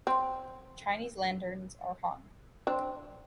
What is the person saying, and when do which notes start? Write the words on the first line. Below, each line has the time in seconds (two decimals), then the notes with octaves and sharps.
Chinese lanterns are hung.
0.07 C4
2.67 C4 D4